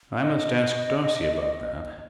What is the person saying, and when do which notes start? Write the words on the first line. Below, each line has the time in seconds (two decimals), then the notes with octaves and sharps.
I must ask Darcy about that.
0.21 D#5